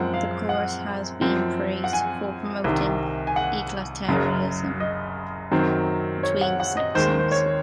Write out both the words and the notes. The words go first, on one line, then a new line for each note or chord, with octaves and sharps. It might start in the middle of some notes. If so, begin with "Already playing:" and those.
The chorus has been praised for promoting egalitarianism between the sexes.
Already playing: F#2 F3 G#3 C4 F#5
F5
F#5
F#2 F3 C4
F#5
G#5
C2 C3 D#3
G#5
F#5
F#1 F#2 C#3
D#5
F#2 D#3 F#3 C4
C#5
F#5
F#5
D#5
D#2 D#3 G#3 C5
C5
C#5